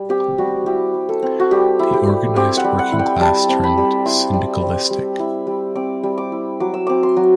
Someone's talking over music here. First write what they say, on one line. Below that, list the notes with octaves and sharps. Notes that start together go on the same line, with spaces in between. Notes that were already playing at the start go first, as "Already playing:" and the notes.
The organized working class turned syndicalistic.
Already playing: G3
C4 G4
G3 F#4
E4 G4
G3
A4
C4
F#4
G3 G4
E4
G4
G3
C4 G4
F#5
G3
F#5
E4
G5
G3 A5
C4
B5
G3
E4 C6
G3
C4
G3
E4
G3
C4 D6
G3
D6
E4
F#3 D6
E6
C4 D6
C6
F#3